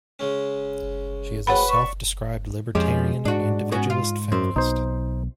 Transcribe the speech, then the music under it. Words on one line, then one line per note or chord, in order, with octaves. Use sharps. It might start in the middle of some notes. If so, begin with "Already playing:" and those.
She is a self-described libertarian and individualist feminist.
C#3 G#3 C#4
G#3 C4 F#4 B4 C#5 F#5 B5
D5 E5 C#6
F2 F3 G#3 C#4 G4
G#2 D4 F#4
B3 C#4 F#4
F4
F#2 C4
B1 D#4 C5